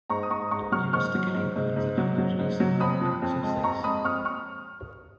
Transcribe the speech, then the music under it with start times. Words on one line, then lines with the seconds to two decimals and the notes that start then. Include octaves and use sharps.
Heuristically buns are usually sold in packs of six.
0.10 G#2 A#5 C#6
0.23 D#6
0.30 G#2 A#5 C#6
0.51 G#2 A#5 C#6
0.72 F#3 C#6 F6
0.93 G#2 C#6 F6
1.14 F#3
1.34 G#2
1.56 G#2
1.76 G#2
1.97 F#3
2.18 F#3
2.39 G#2
2.60 F#3
2.80 F2 B5 D#6
3.01 F3
3.22 F2
3.43 G#3
3.63 F2 A#5 C#6
3.83 G#3 B5 D#6
4.04 F2 C#6 F6
4.25 C#6 F6